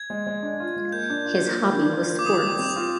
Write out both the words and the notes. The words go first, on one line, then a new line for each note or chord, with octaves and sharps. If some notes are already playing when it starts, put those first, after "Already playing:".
His hobby was sports.
Already playing: G#6
G#3
G#3
D4
F4
G#3
A#3 G6
D4
F4
A#3
A#3
D4
F4
A#3
D6
D#3 D#6
G3
C4
F4